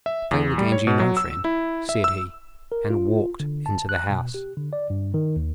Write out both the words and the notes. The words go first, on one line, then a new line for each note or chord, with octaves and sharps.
"Play all the games you know, friend," said he: and walked into the house.
E5
E2
G3
C#5
B2
F#3
E6
E4
E5
E6
A#4
F4
D3
A5
F#6
B2
G4
D3
D5
G2
D#3
D#2